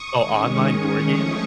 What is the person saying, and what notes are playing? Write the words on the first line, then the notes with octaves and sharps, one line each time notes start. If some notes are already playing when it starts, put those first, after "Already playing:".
Oh, online board games?
Already playing: C#6 D#6
D#3 G#3 C#4
F3 A3 C#4